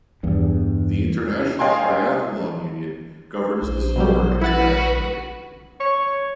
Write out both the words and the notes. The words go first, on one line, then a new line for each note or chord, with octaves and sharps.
The International Triathlon Union governs the sport internationally.
E2 G2
C#5 D#5 F5 G5 G#5 C6
A#1 C5
B2 F#3 G3
E4 F#4 B4 F#5 A6
C#5